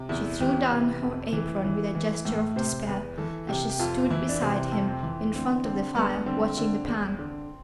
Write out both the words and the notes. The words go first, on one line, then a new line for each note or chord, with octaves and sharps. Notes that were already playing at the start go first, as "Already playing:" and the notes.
She threw down her apron with a gesture of despair as she stood beside him, in front of the fire, watching the pan.
Already playing: C3
E2 E4
E3 G4
C3 B4
F2
E3
E3
E3
A2
C3 C5
E2 B4
E3 A4
C3 G4
G4
F2 F4
E3 E4
D4
C3 C4
F2
C4
E3
D3 C4
D3 C4
G2 B3
D3 C4
D3
E2
D3